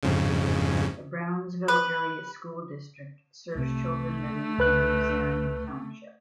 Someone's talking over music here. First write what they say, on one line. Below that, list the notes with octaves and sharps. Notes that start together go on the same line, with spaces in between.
The Brownsville Area School District serves children living in Luzerne Township.
F2 G#2 C#3
B4
C2 C3 A3
C#2 B4 F#6